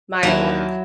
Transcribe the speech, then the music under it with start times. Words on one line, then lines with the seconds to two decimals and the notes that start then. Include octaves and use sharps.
my, well
0.23 D#2 D#3 F#3 D4 E4